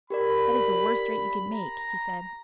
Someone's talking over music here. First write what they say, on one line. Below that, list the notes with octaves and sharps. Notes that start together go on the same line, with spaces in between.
"That is the worst threat you could make," he said.
G4 A#4 D5 B5
A#5